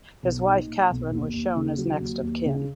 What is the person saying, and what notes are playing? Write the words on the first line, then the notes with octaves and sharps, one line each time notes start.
His wife Catherine was shown as "next of kin".
B1
D#4
A#2
B1
D#2
D#2
C#3
F#3
D#2
D#2
C#3